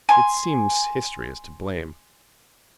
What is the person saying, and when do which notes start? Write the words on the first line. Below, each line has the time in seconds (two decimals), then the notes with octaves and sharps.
It seems history is to blame.
0.09 G#5 C6